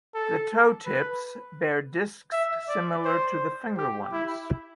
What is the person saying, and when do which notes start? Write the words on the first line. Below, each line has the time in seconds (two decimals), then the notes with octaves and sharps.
The toe tips bear discs similar to the finger ones.
0.14 A4
0.86 B4
2.32 E5
2.68 D5
3.05 C5
3.77 G4
4.12 E4